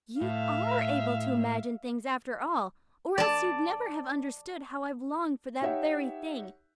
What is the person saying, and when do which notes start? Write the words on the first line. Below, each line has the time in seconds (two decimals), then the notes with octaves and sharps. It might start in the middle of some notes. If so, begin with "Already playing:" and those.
You ARE able to imagine things after all or else you'd never have understood how I've longed for that very thing.
0.21 A2 E5 F5
3.18 D5 A5
5.61 D#4 G4 C#5 E5 F#5 G5